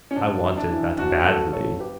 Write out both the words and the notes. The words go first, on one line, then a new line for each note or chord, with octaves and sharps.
I wanted that badly.
C#4
F#1 D4
F#2
D4
E3
F#1 D4 F#4
F#1 F#4 A4
F#2 A4 C#5
G4 B4